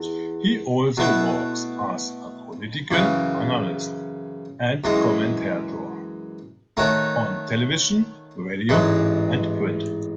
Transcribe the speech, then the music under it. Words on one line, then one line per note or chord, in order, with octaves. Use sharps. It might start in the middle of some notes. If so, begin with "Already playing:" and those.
He also works as a political analyst and commentator on television, radio and print.
Already playing: E2
B2 A3 E4 B4
F#2 C#3 E3
F#2 E3 G#3
D#3 A3 D#4 F#4 C#5
A1 G#2 E3 G#3